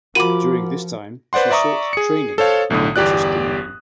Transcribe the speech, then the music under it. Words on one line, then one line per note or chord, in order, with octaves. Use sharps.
During this time she "sought training in the 'British Dominion'".
F3 F4 F#4 A#4 B5 D6 D#7
B4 C5 D5 F#5 C6
D5 E5 A#5 C#6 D#6
G#4 C#7
A4 C5 C#5 F5
B1 A2 D3 D#6
G1 E2 G4 D5 F#6